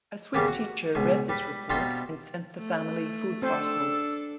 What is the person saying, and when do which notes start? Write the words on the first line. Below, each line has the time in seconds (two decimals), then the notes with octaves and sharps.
A Swiss teacher read this report and sent the family food parcels.
0.34 G2 C#3 G3 A#3 B3
0.48 F#4
0.95 C#2 B2 G#5
1.29 G3 B4
1.70 B2 G3 C4 D#4 F4
2.58 A3
3.42 C4 D4 A4 C5 E6